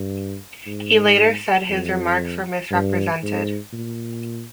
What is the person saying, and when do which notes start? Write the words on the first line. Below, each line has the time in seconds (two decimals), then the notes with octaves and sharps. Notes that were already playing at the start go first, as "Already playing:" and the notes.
He later said his remarks were misrepresented.
Already playing: G2
0.67 G#2
1.70 F2
2.71 G2
3.23 G#2
3.73 A#2